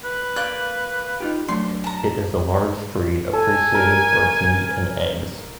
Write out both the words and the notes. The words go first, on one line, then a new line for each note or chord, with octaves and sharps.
It is a large breed, appreciated for its meat and eggs.
B4
A#3 D5 F#6 G6
D#4 F4 G4
F#3 A3 D4 C6
A5 A#5
A4 G#5
A#4